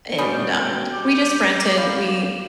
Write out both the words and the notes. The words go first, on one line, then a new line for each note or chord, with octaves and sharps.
and, um, we just rented we
B2 B3 C#4 D5 G6
G5
G3 D6
B3 F5